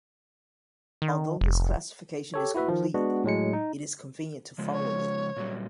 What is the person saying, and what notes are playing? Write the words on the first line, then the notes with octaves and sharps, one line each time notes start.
Although this classification is complete, it is convenient to follow it.
D#3
F1
G4 A4 C#5
E4 F#4 B4 E5
D#3 F3
G#3 B3 D4 F#4
A2 F#3 G#3 C#7
D#4
C#3 F3 G#3
C#5
A#2 F#3 G3